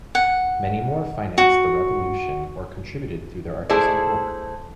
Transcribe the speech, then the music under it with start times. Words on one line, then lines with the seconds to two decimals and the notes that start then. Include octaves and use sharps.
Many more financed the revolution or contributed through their artistic work.
0.15 F#5
1.38 F#4
3.69 A3 E4 G#4 A4 C5 D5